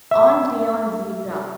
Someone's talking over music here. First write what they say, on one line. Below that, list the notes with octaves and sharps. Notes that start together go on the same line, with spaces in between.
On Beyond Zebra!
E5